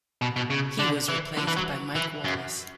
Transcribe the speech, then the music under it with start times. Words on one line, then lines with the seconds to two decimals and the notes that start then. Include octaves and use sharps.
He was replaced by Mike Wallace.
0.22 B2
0.36 B2
0.50 C#3
0.79 D3
1.09 E3
1.37 D3
1.48 E3
1.57 F#3
1.95 E3
2.24 F#2